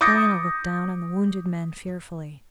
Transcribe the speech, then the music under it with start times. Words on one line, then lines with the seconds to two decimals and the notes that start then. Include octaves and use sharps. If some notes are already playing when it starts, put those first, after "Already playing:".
Diana looked down on the wounded man fearfully.
0.01 D6 D#6 G6 A6 A#6 C#7